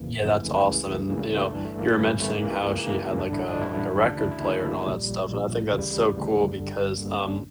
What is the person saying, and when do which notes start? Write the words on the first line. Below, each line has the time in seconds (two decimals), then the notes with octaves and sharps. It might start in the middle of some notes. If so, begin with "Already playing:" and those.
Yeah, that's awesome, and, you know, you were mentioning how she had, like, a like, a record player and all that stuff, and I think that's so cool because, um,
Already playing: G1 F2 C#3 E3 A#3
0.24 G1 F2 C#3 E3 A3
0.66 C#2 C#3 E3
1.09 C#2 C#3 E3 A#3
1.18 G3
1.23 A3
1.37 A3
1.51 G1 G2 E3 D4
1.65 A3
1.79 A#3
1.93 G1 G2 E3 E4
2.07 C#4
2.22 A3
2.35 C#2 C#3 E3 A#3
2.77 C#2 C#3 E3 A#3
3.19 A1 G2 D3 D4
3.33 E4
3.47 D4
3.62 A1 G2 D3 E4
4.03 D2 C#3 E3 D4
4.17 E4
4.31 E4
4.45 D2 C#3 E3 C#4
4.59 A#3
4.74 G3
4.87 A#1 A#2
5.29 A#1 A#2
5.71 D2 C#3 E3 A3
5.79 G3
5.93 G3
6.14 D2 C#3 E3
6.56 G1 G2 D3
6.98 G1 G2 D3 A#3
7.12 C#4
7.26 D4